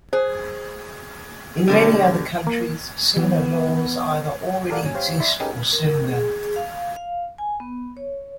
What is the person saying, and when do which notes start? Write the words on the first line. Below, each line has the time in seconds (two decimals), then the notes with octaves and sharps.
In many other countries similar laws either already exist or soon will.
0.13 G#4 C5
1.68 B2 D3 G3
2.47 A#3
3.16 E3 B3
4.69 G4 A4 A#4 D5 F5 F#5
4.82 G1 A#2 F#3 C#4 G#5
4.94 G4 C5 C#5 F5
5.20 D5 E5 B5 C6
5.40 C#4 D#4 G4 G#4 A#4 B4
5.73 A#4
6.08 G#4
6.56 F5
6.96 F5
7.38 G#5
7.60 B3
7.97 C#5